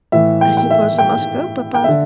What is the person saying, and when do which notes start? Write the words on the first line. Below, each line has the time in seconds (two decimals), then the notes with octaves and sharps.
"I suppose I must go, papa?"
0.12 A2 E3 E5
0.41 G5
0.57 G5
0.71 E5
0.98 G5
1.74 G5
1.84 D3 E5